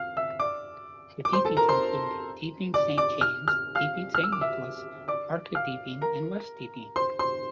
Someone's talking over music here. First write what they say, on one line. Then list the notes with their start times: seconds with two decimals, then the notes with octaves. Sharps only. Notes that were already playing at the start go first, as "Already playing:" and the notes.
The Deepings include: Deeping Saint James, Deeping Saint Nicholas, Market Deeping and West Deeping.
Already playing: F5 F6
0.17 E5 E6
0.40 D5 D6
1.25 D6
1.33 C5 C6
1.45 A4 A5
1.57 A#4 A#5
1.68 C5 C6
2.74 D5 D6
2.98 D5 D6
3.21 F6
3.48 F6
3.75 F5 F6
4.15 F6
4.24 E6
4.32 D6
4.41 E5 E6
5.08 D5 D6
5.55 F5 F6
6.01 A#4 A#5
6.96 C5 C6
7.19 C5 C6